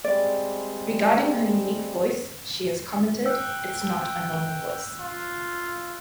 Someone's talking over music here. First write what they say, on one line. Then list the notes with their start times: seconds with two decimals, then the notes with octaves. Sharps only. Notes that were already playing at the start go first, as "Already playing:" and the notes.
Regarding her unique voice she has commented: It's not a normal voice.
0.04 G3 G#3 C4 D5
3.26 G5 E6 F#6
5.00 F4